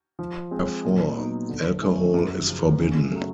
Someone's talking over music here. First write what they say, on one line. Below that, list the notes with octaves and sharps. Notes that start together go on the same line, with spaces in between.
Therefore, alcohol is forbidden.
F3
G#3 C4
A#2
F#3 B3 D#4
D3
F3 A3 C#4 E4
F#2
C#3 F3
C#3
F#3 A3